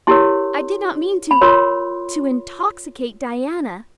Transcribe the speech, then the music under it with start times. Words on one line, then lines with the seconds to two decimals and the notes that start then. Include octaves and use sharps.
I did not mean to--to--intoxicate Diana.
0.07 E4 G4 A#4 C#5 C6
1.31 B5
1.41 F4 A#4 C#5 C6